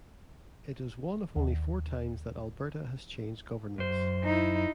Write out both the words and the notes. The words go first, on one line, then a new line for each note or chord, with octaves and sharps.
It was one of only four times that Alberta has changed governments.
D#2
F#2 C5
D#4 E4